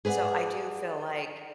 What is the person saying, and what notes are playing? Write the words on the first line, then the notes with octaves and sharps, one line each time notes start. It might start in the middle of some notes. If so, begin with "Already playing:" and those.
So, I do feel like
G#4 B4 D5 F5 F#5